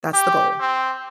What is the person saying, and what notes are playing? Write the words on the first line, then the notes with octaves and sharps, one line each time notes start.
That's the goal
G4
C4